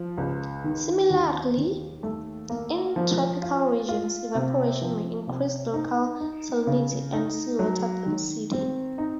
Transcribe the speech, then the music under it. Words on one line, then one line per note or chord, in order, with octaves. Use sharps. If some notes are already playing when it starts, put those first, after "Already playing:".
Similarly, in tropical regions, evaporation may increase local salinity and seawater density.
Already playing: F3
C#2
D#3
D#2
D#2
A3
A#3
F3
F4
F4
C3
F3
C3
D#4
D#4
C#3
D#4
F#3
D#3
C4
D#4